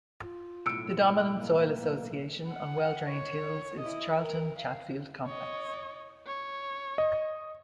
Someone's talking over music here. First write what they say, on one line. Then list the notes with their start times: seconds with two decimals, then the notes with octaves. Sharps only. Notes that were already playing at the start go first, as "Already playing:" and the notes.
The dominant soil association on well-drained hills is Charlton-Chatfield complex.
0.21 F4
0.66 B1 A2 E6 C#7 D7
1.36 A#3
2.49 F#5
3.09 C#5
3.80 E4 D#5
4.19 A#4
4.59 F5
5.26 C#5 D#5
6.26 C#5
6.98 D#5